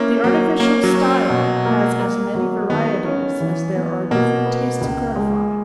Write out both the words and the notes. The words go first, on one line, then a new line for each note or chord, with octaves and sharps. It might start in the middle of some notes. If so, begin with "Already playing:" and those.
The artificial style has as many varieties as there are different tastes to gratify.
Already playing: A#3 B3 C#4 E4
F#3 A#3
A#3 C#4
F#3
C#4
B2
A#3
A#3
F#3
D#3 B3
C#4
E3
B3
B2 A#3
B3
C#2
G#3